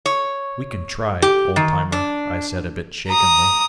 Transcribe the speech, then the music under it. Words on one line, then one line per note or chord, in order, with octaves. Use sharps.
"We can try, old-timer," I said, a bit shakenly.
C#5
G4
D#3
D4
A#5 D#6